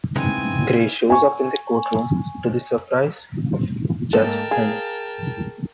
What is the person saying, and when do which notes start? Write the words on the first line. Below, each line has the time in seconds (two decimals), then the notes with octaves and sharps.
Gray shows up in the courtroom, to the surprise of Judge Helms.
0.16 C#3 G#3 B3 C4 D#4 E4 G#5
1.10 G#5 C#6
4.13 G#2 A#3 A4 A#4 G5 A5
4.51 G#4 F5